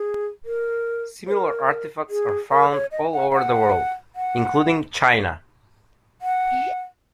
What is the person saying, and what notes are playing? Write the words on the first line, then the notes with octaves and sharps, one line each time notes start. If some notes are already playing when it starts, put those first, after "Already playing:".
Similar artifacts are found all over the world, including China.
Already playing: G#4
A#4
C#5
A#4
G#4
A#4
C#5
D#5
F#5
F#5
F#5
F#5